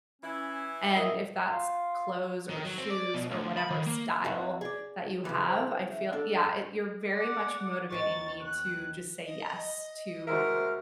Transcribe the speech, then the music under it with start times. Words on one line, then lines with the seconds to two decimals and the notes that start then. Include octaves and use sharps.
and if that's clothes or shoes or whatever style that you have, I feel yeah, it you're very much motivating me to just say yes to
0.22 E3 C#4 E4
0.96 A#2 A#4 D#5 E5
1.51 F4
2.50 D#3
2.65 F#3
2.78 C4
2.90 D5
3.14 B2
3.31 D2
3.57 B5
3.70 D#3
3.86 A#3
4.24 F2 E3 F#4
4.61 G#4 D5
5.25 C#3 E3
5.47 C5
5.89 E5
6.13 D4 A4
7.15 D5 F#5
7.91 D#2 D#3 C#5 C#6 A6
8.43 F#6
9.25 D#5
10.27 G#3 F#4 A#4 C5 E5 F6